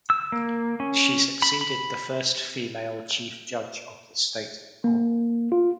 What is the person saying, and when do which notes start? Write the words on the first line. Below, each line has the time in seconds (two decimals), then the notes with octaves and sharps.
She succeeded the first female chief judge of the state Hon.
0.10 E6
0.32 A#3
0.80 C#4
1.42 B5
1.61 B5
4.84 A#3
5.52 F4